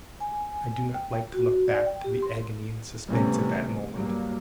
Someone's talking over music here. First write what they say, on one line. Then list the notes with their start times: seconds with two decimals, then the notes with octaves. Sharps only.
I do not like to look back to the agony and suspense of that moment.
0.20 G#5
0.95 G5
1.34 F#4
1.68 D5
1.86 G5
2.04 G4
2.22 C6
3.08 C3 E3 G3 A3 B3 C#4
3.95 G2 F#3 G3 A#3